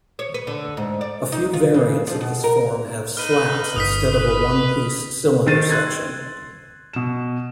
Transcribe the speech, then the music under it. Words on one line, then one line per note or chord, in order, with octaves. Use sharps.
A few variants of this form have slats instead of a one-piece cylinder section.
C#5
B4
D3
G#2
D5
D#4
F4
C#3
F3
B2
A#4
D#4 B4 F6 D#7 G7
G1 D#6 F6 B6
B4
D#3 C5 A6 D#7
C6 F#6 G#6 A6
B2 E7